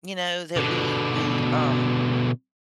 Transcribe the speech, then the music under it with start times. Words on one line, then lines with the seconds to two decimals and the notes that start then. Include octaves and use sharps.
you know, that we we, um
0.57 B2 D3